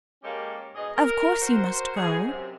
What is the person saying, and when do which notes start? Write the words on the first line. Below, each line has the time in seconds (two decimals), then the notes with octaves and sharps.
Of course you must go.
0.23 G#3 A#3 C#4 G4 A4
0.75 G#2 B2 G#4 D#5
0.96 A#4
1.42 F#4 A#4 C5
1.97 G#2 G#4
2.26 F#2 C3